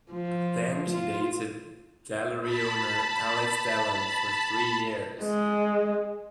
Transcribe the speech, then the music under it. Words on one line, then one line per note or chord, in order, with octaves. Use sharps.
Then she dated gallery owner Alex Dellal for three years.
F3
F4
A5 B5
G#3